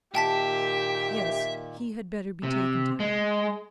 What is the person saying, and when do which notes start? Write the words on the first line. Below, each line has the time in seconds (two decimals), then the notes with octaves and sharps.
Yes; he had better be taken to her.
0.15 A#2 D#3 A#3 G4 E5 G5 A5 B6
2.43 C3
3.00 G#3